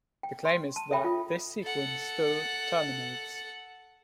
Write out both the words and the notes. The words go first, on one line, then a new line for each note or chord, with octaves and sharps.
The claim is that this sequence still terminates.
G5
C6
A5
A4 C#5 E5 G5 B5
F4 D#6
A4 F#5